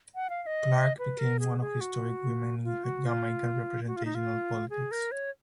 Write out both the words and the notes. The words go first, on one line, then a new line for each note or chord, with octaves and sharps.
Clarke became one of historic women in Jamaican representational politics.
F#5
F5
F5
D#5
B4
A#4
G#4
G#4
F#4
F4
F#4
F4
F#4
F4
D#4
F4
G#4
A#4
C#5